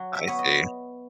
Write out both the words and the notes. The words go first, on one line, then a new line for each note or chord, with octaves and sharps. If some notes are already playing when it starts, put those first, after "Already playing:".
I see.
Already playing: F#3
E5
B3 C#5
D#5